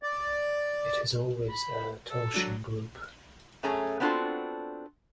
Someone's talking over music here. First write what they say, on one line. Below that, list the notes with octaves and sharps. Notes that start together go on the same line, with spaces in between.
It is always a torsion group.
D5
B5
A4
F#3 D4
F#2 A3 C#4 G#4 A#5
B3 C4 D4 F4 F#4 A4